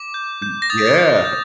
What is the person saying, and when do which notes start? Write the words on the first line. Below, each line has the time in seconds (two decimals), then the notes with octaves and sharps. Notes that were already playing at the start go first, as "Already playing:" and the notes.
Mm, yeah.
Already playing: D6
0.14 G6
0.42 G6
0.62 A#6
0.70 D#6 A6
0.98 G6
1.25 G6